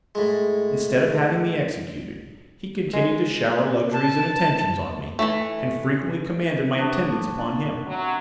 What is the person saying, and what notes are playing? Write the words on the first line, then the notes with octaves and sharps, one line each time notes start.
Instead of having me executed, he continued to shower luxuries and attentions on me, and frequently commanded my attendance upon him.
A2 G#3
G#3
A5
E3 F3 A3
B3 D4 C#5
C3 F#3